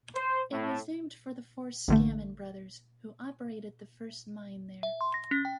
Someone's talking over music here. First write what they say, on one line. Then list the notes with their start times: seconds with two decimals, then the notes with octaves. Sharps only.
It was named for the four Scammon brothers, who operated the first mine there.
0.15 C5
0.51 A2
1.88 A1 D3 A3
4.83 E5
5.01 C6
5.14 A#6
5.31 C#4
5.45 G5